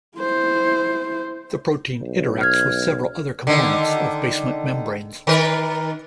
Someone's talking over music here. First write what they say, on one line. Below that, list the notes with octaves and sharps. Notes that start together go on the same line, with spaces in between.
The protein interacts with several other components of basement membranes.
E4 C5
B1
F6 G#6
D3 D#3
D#3 A#4 B4